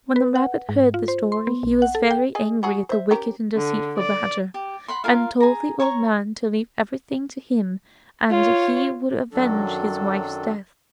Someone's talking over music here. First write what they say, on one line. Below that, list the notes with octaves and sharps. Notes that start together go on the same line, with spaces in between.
When the rabbit heard the story he was very angry at the wicked and deceitful badger, and told the old man to leave everything to him and he would avenge his wife's death.
B4
F#5
G#2
F4
C5
C6
B3
B1
F#5
A4
G5
G#4 D#5 G#5
F#3 F#4 G#4
C5 E5
C#4 G4 A#4
D3
D5
G4
F#5 B5 C6
F4 A#4 F5
G#4 A#5
C#5 A#5 C#6
F4 C#5
F#2 D#3 F#3 D4 A4